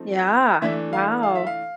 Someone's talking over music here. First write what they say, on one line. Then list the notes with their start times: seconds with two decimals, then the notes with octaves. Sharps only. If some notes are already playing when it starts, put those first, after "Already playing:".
Yeah. Wow.
Already playing: F3 A3 C4 D#4
0.62 E3 A3 D4 E5
0.93 F5
1.23 F5
1.35 E5
1.47 F5